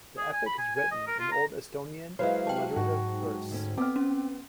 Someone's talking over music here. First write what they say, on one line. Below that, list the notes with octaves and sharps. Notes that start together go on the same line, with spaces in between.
The epic is written in old Estonian alliterative verse.
G#4
G#5
B5
G#5
G#5
D#5
A#4
F4
A#5
F#3 G#3 E4 B4 C5 F5
G5 A5
G#2 F#4
D2 C#4
B3 C4 D6 F6
C#4